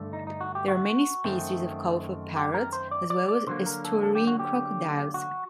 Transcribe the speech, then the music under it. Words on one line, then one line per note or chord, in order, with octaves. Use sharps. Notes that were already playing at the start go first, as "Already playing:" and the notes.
There are many species of colourful parrots as well as estuarine crocodiles.
Already playing: G2 D3 A3
D#4
D#4
F#4
G4
F#4
F#2 D#3 A3 C4
G4
A#4
C5
D5
D5
D5
D3 F#3 A#3 C5
A#4
A4
A4
G4
F#4
G4
F#4